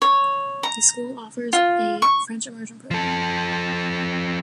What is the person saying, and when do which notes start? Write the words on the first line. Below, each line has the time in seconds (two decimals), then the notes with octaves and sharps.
The school also offers a French Immersion program.
0.02 C#5
0.63 A#5
1.53 F4
2.02 C#6
2.91 F3 A4